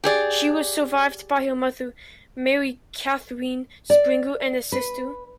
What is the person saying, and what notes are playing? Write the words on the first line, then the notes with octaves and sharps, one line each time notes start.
She was survived by her mother, Mary Cathryn Springer, and a sister.
G4 G#4 D5
D5
B4